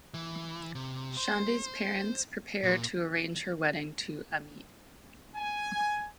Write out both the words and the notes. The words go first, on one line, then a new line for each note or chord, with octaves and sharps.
Chandni's parents prepare to arrange her wedding to Amit.
E3
C3
C5
A#2
G#5